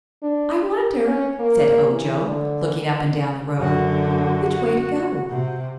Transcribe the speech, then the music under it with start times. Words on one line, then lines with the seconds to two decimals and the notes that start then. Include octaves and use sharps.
"I wonder," said Ojo, looking up and down the road, "which way to go."
0.22 D4
0.62 G4
1.05 C#4
1.40 A#3
1.93 E3
2.25 D3
3.57 F#2 D3 F#4
5.29 C3